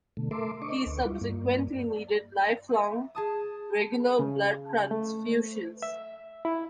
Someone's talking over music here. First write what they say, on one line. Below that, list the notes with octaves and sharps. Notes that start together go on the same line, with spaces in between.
He subsequently needed lifelong regular blood transfusions.
B2 D3 A3
A3 A4 A#4 E5 C6 D6
D4 D#5 C#6 D6
D2
G3 E4 F4
G2 A#3
G#4 A5 D#6
C#3
A3
E5
E4